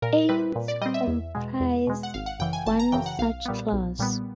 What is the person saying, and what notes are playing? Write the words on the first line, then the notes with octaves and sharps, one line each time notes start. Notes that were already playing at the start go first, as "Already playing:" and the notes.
Ants comprise one such class.
A#2 A#4
G3 C4 B4
A#2
D5
G3 C4 D#5
E5
E2
B2 G#3
E2
B2 G#3
F#5
G#1 F5
F#5
F#2 C#3 E3 G5
G#5
G#1 A5
A#5
F#2 C#3 E3 G5
F#5
B1 F5
A#2 G3 B3
B1
A#2 G3 B3